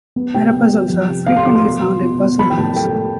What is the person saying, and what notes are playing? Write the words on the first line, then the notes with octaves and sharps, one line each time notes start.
Metapuzzles are frequently found in puzzlehunts.
B3
C3 G5
B3
G3
F3
C3
A3 F5
C6
F3 D6
C6
B2
B3
B2
B2
F3 B5
G5
A2 A5
A3 G5
A2